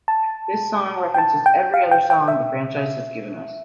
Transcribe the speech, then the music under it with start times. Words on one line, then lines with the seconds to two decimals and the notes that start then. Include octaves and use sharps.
This song references every other song the franchise has given us.
0.08 A5
1.14 G5
1.18 A5
1.46 G5
1.74 F5
1.91 G5
2.10 G5
2.28 E5